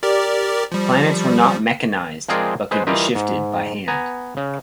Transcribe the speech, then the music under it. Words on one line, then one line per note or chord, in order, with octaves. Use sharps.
Planets were not mechanized, but could be shifted by hand.
G4 A#4 D5
F3 G3
F3 G#3 C4 G#4 A#4 D5
G#3 B4 C5
E3 G3 F4 G4 A#4 D#5
G#2
B3 G#5 A#5
C#3